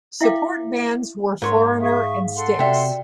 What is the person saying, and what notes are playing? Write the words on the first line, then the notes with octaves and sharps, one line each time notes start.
Support bands were Foreigner and Styx.
E4 E5 F5 G5 D6
G#2 A#4 C#5 C6
G#4 E5 F5 C#6 D#6
A4 F#5 C6
C3 F#4 D5 E5 G5